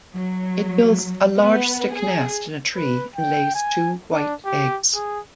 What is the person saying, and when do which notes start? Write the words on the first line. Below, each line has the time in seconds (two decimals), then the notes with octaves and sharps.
It builds a large stick nest in a tree and lays two white eggs.
0.14 F#3
1.36 B3
1.93 G#4
2.76 B4
3.16 G5
3.55 G#5
4.12 D4
4.45 G4
4.95 G#4